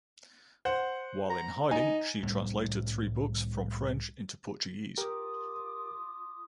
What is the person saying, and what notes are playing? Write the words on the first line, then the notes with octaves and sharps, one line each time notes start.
While in hiding she translated three books from French into Portuguese.
C5 F#5
A#5
D#4 G#5
C2 A2 G3 A3
F4 G4 A#4 D6 D#6